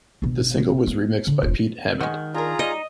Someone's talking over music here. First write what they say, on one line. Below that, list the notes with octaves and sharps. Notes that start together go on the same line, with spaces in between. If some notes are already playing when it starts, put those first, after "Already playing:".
The single was remixed by Pete Hammond.
G1 B2
B3
D3
E1 F4
D#3 G#3 F#4
D4 F4 G#4 A#4 A#5
G3 D#4 D#5